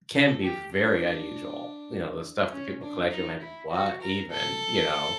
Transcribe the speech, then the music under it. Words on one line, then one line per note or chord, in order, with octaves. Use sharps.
can be very unusual, you know, the stuff that people collect, you're like, "What even?" you know,
A4
G4
D4
C#4
D4
D#4
E4
F#4
A#4
A4